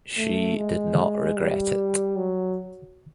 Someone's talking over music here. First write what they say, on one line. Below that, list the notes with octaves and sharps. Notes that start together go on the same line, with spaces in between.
She did not regret it.
A3
G#3
G3
F#3